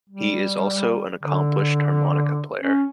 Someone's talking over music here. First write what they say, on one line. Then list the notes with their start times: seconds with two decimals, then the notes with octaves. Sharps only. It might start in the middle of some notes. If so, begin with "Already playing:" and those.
He is also an accomplished harmonica player.
0.10 G3
1.23 D3
2.61 C#4